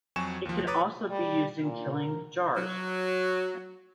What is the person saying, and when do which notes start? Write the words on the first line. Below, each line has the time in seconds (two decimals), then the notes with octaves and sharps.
It can also be used in killing jars.
0.16 F2 F#3 F#4 G#5 C#6 E7
0.45 D#2 F3
0.67 B4 C#5 A#5 D6 D#6 A6
1.10 G3
1.63 A#2
1.94 A#4
2.56 F#3